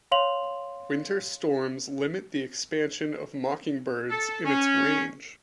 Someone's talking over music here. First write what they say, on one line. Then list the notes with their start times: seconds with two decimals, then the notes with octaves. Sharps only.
Winter storms limit the expansion of mockingbirds in its range.
0.11 C#5 F5 C6 F7 F#7
4.10 A4
4.45 C#4